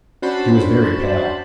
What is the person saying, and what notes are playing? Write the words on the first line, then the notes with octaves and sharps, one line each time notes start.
He was very pale.
C#4 D4 F#4 C5 A5 B5